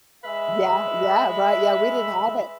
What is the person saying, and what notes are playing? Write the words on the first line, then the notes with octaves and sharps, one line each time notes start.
yeah yeah, right, yeah, we didn't have it.
G#3 B4 E5